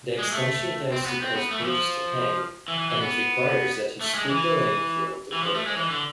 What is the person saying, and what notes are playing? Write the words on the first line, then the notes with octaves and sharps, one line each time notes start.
The extension tends to cause pages to hang, and it requires that you speak the link you want to click on.
G#3
A3
C4
C4
B3
C4
B3
A3
E3
F3
E3
E3
E3
B3
A3
G#3
E3
E3
F3
A3
G#3
E3
D3